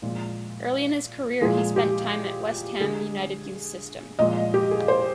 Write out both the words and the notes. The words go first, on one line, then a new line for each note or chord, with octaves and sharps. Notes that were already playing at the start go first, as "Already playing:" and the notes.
Early in his career he spent time at West Ham United's youth system.
A#2 F3 G#3
A#2 F3 G#3 G#4
G4
D3 G#3 G#4
A#2 F3 G#3 D#5
G4
G#4
C5